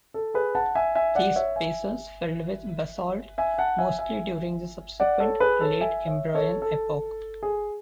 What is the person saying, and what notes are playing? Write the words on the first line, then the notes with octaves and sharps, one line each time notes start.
These basins filled with basalt mostly during the subsequent Late Imbrian epoch.
A4
G#4 B4
F#5 A5
E5 G#5
E5 G#5
D5 F#5
C#5 E5
E5 G#5
E5 G#5
F#5 A5
E5 G#5
E5 G#5
D5 F#5
A4 C#5
G#4 B4
A4 C#5
E5 G#5
C#5 E5
A4 C#5
A4
G#4